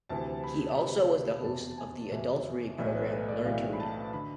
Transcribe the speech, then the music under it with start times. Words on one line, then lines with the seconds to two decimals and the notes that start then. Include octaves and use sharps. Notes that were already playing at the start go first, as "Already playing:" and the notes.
He also was the host of the adult reading program, "Learn to Read".
0.09 D2 C3 E3 A5
0.44 B5
0.76 D2 C3 E3 B5
1.44 F1 E2 B2 A5
1.78 G#5
2.11 F1 E2 B2 E5
2.78 B1 A2 E3 D5
2.95 B4
3.06 A4
3.12 B4
3.28 D5
3.45 B1 A2 E3 F5
3.73 B5
3.80 A5
4.13 D3 B5